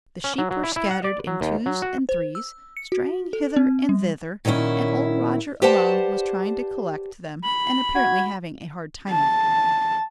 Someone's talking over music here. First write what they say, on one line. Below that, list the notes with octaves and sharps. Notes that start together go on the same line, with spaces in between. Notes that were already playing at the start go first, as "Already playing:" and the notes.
The sheep were scattered in twos and threes, straying hither and thither; and old Roger alone was trying to collect them, and apparently having a hard time of it.
C#4
F#3
F#3
E4
E4
F#5
D5
F#3
D#2
F#3
F#4
C5
E6
C#7
F#4
A4
C4
G3
A#2 D#3 F#3 C#4 E4
G4 B4 C5 D5 F#5 A5
B5 F#7
F#4 G#6
A5